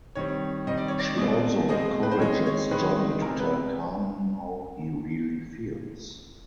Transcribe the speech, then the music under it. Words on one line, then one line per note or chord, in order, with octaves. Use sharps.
She also encourages Johnny to tell Carmen how he really feels.
D#3 G3 C4 C#5
D#3 G3 C4 D#5
D5
C#5
D5
B2 G#3 C4
B2 G#3 C4 D#5
B4
C5
D#3 G#3 C4 C#5
C#5
D#3 G#3 C4 B4
C3 E3 G#3 A#4
B4